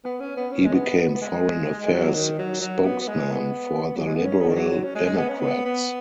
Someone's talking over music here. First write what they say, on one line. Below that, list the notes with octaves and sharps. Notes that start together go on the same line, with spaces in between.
He became Foreign Affairs spokesman for the Liberal Democrats.
B3
C#4
B3
C#4
G#3
B3
B3
B3
G#3
G#3
F#3
D#3
F#3
F#3
B3
B3
G#3
B3
F#3
G#3
B3
C#4
B3
D#3
F#3
F#3
C#4
G#3
G#3
B3
C#4
B3
B3